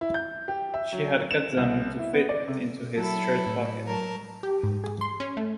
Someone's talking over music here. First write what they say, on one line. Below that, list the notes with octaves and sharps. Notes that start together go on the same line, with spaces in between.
She had cut them to fit into his shirt pocket.
E4
G6
G4
E5
F#3
E7
C2
E4
B3
D5
C3
F#3 E4 A4
A2
F#3 A#4 A5
G4
G#2
G#4
C6
C#4
A3